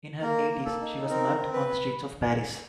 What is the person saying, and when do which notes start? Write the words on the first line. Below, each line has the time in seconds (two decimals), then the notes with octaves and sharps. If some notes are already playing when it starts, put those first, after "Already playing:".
In her eighties she was mugged on the streets of Paris.
0.22 A#3 A#4
0.51 A#3
0.65 A4
0.81 D#4
1.10 C4 A#4
1.39 C4
1.53 B4